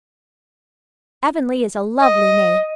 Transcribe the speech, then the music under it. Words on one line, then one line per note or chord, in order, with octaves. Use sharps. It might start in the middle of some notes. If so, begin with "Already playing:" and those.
Avonlea is a lovely name.
D#5